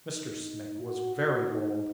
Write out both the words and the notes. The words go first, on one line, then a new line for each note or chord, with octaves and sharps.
Mr. Snake was very bold.
D#4
F#4
F#4
D#4